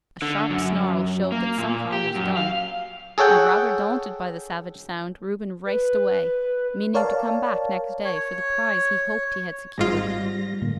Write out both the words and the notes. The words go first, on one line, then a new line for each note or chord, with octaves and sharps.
A sharp snarl showed that some harm was done, and, rather daunted by the savage sound, Reuben raced away, meaning to come back next day for the prize he hoped he had secured.
D3
F#2
A#3
A#2
G4
F#2
F5
G#4 A4 C#5 F#5 G5
B4
A#4 C#5 D5 F5 A5
C#5
G#1 G#2 G3 F4 A#6
A2 D3 A#3